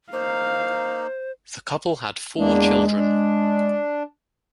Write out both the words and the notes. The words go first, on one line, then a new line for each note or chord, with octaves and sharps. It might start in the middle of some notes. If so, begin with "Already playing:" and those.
The couple had four children.
A#3 D#4 C5 F5
E2 G#3 A#3 D4
D4